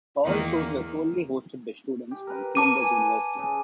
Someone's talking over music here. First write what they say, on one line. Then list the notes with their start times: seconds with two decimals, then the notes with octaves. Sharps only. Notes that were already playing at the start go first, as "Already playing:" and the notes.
All shows were solely hosted by students from Flinders University.
0.24 E2 D#3 A#3
2.11 G4
2.27 A#4 B4
2.55 A5 D6 D#7
2.80 G#5
3.38 C#3 G#4